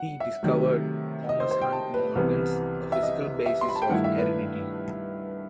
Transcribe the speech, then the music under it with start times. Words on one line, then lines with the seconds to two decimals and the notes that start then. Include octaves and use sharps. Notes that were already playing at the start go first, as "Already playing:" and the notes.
He discovered Thomas Hunt Morgan's The Physical Basis of Heredity.
Already playing: F#5
0.20 E5
0.43 C3 D#3 F#3 A3
1.29 D#5
1.40 C5
1.51 C5
1.62 G5
1.73 A5
1.94 B4
2.15 C2 C3 E3 B3
2.92 E5
3.03 D#5
3.46 E5
3.61 C6
3.69 B5
3.75 A5
3.82 G5
3.89 G2 D#3 A3 E4 F#5
4.04 E5
4.18 B4